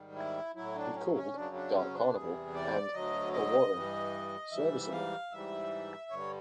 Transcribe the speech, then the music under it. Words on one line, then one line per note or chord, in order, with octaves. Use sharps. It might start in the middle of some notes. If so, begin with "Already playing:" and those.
He called "Dark Carnival" and "The Warren" "serviceable".
Already playing: G#2 D#3 G3
E4
A2 F#3 E4
D4
C#4
C#4
F#2 C#3 F#3 D4
D4
C#4
D4
E2 C3 E3 G3 G#4
D5
D2 D3 F#3 D#5
D#5
G2 E3 G3
G#2 E3 G3 E5
F5
G#2 E3 G3 E5
G2 D3 G3 C#5